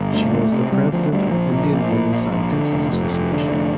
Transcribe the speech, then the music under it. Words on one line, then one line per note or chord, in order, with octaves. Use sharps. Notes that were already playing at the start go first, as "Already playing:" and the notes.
She was the president of Indian Women Scientists’ Association.
Already playing: G1
D2 A3
D2
A3
C3
C3 G3
D2 F3
D2 G3
A#1 F3
A#1
A#2
A#2
A#1
A#1
D3
F1
F2
F1
D3
F1